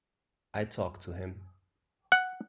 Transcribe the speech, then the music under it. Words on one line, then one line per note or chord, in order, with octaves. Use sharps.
I talk to him.
F#5